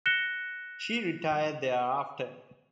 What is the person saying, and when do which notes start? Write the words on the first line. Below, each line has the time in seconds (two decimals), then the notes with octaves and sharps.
She retired thereafter.
0.06 F#6 A#6 C#7 E7 G7